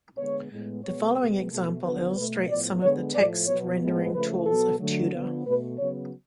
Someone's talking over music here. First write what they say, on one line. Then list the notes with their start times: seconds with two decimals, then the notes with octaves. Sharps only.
The following example illustrates some of the text rendering tools of Tutor.
0.18 D3 G#3 B3 C#5
0.51 A2 G#3 B3
0.84 B2 G#3 B3 C#5
1.17 B2 G#3 B3
1.50 B2 A3 A4
1.83 D3 F3 B3 B4
2.16 B2 A3 B4
2.48 A2 F3 B3 D5
2.82 D3 G#3 B3 C#5
3.15 A2 F3 A3 D5
3.48 B2 F#3 B3 C#5
3.81 A2 F3 G#3 B3
4.14 C#3 F3 A3 B4
4.47 B2 F#3 B3 A4
4.80 D3 F#3 A3
5.13 D3 F3 B3
5.46 B2 A3 B4
5.79 C#3 F#3 B3 C#5